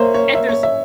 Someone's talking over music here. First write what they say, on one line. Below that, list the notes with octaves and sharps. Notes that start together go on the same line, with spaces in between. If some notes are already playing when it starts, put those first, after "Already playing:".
And there's I
Already playing: A#3 C5 C#5 E5
C#5
E5
C#5
E5